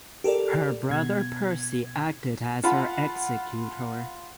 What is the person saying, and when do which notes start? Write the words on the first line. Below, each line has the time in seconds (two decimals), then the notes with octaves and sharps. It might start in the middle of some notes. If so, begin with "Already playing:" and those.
Her brother Percy acted as her executor.
0.24 G4 A4 A#4 D5
0.90 B2 G#6
2.64 F4 F#5 A5 B5